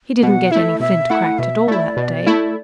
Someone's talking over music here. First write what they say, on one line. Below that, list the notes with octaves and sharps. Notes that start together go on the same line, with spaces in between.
He didn't get any flint cracked at all that day.
B2 F#5
A3 E4 E5
B2 E5
A3 E4 F#5
B2 E5
A3 E4 D5
B2
A3 E4